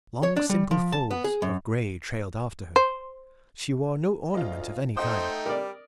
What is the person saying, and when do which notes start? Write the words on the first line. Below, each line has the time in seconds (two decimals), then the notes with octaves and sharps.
Long simple folds of grey trailed after her: she wore no ornament of any kind.
0.23 C#5
0.36 D4
0.49 G3
0.71 F3
0.92 A5
1.11 B3
1.24 G#4
1.42 F#2
2.76 C5
4.34 D2 F4 D#5
4.97 A3 D#4 C5 D#5 F#5 G5 D#6
5.46 G3 A#4 D5